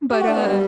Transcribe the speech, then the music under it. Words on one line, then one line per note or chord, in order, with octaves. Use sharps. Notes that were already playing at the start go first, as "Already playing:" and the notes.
but, uh
G4
F#4
D4
B3
G3